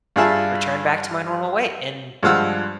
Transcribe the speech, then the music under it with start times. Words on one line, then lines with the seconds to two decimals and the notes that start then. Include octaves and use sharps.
returned back to my normal weight in
0.16 G2 F4 G#4 E5 A5
2.23 G2 F3 G#3 F5 F#5 E6